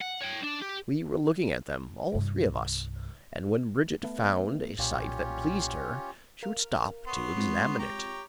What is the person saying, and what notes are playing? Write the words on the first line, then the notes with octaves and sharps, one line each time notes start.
We were looking at them, all three of us, and when Brigitte found a site that pleased her, she would stop to examine it.
F#5
C#5 G5
D4
G4
C2 G2
A3 B3
B1 A#2 C#4 F4 G4
A#4 F5
B3 C#5 C6
G#3 C4 F4
G4 C#5 A#5